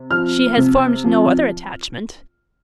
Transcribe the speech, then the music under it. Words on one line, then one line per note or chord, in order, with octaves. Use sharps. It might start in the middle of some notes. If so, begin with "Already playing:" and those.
'She has formed no other attachment?'
Already playing: C3
F3 F6
C3
F3